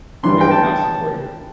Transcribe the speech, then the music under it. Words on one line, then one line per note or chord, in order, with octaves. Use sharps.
they were not supportive.
G2 E3 G3 C6
G5
A5
A5